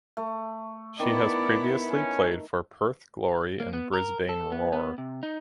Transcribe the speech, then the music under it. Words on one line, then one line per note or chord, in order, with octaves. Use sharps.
She has previously played for Perth Glory and Brisbane Roar.
A3
D#3 B3 E4 D5
C#4
A#3
B3
A#4
A4
B3
B3
C3
D#4